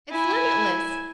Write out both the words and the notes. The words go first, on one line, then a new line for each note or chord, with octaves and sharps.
It's limitless.
E4 G#5